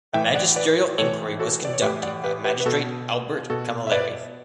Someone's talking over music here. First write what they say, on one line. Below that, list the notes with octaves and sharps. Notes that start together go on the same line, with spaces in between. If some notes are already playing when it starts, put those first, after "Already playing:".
A magisterial inquiry was conducted by Magistrate Albert Camilleri.
A2 E3 E5 G5
D5 F#5
B4 D5
A2 E3 A4 C#5
F#4 A4
D5
C#5
A2 E3 G4 B4
D5 F#5
G4 B4
G4 B4
B4
B2 F#4 A4
B2 F#4 A4
E5
B4 D5